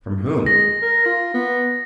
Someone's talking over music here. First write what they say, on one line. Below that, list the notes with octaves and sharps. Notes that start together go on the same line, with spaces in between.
From whom?
G#3 A#6
A#4
F4 A#6
B3